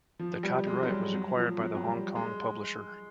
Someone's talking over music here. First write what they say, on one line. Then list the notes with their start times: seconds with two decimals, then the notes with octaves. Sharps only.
The copyright was acquired by the Hong Kong publisher.
0.19 F3
0.43 G3
0.67 G#3
0.83 F#3
0.90 G3
1.14 F#3
1.37 F3
1.60 F#3
1.75 F#3
1.84 G3
2.15 G#3